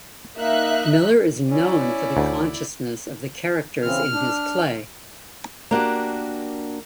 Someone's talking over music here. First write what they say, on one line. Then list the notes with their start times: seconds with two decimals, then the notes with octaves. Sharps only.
Miller is known for the consciousness of the characters in his play.
0.37 A#3 D#4 A#4 E5 F#6
1.51 C#4 E4 D5
2.17 D2
3.83 C#3 E3 C4 F6
4.12 D4
5.71 A#3 D4 F#4 G4